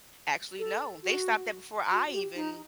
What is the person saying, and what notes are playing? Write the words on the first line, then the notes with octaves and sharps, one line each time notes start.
Actually, no. They stopped that before I even
A4
F#4
F#4
G4
D#4